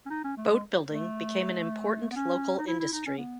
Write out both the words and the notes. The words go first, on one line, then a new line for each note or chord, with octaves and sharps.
Boat building became an important local industry.
C#4
D#4
C#4
A3
G#3
A3
B3
C#4
D#4
E4
E4
D#4
C#4
B3